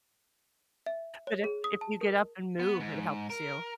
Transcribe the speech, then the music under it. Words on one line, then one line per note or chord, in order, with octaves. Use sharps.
But if if you get up and move, it helps you.
E5
C#5
G#4
D#6
A5
A#4
B3
G#2
A#4